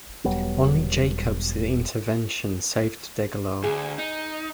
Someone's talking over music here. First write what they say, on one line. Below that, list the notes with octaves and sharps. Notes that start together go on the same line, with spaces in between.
Only Jacobs' intervention saved Degelow.
E1 F#3 G3 B3
D2 G#4
D#4